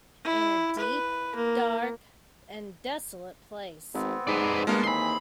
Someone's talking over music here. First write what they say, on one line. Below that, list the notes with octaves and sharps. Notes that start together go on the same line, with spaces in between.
In a deep, dark and desolate place.
E4
B4
A#3
G#1 B3 C4
G#2 B4 D5
G1 G#3 A#3 B3 F4 A5 F6
D#2 E3 C4 G#4 B5 C6 C7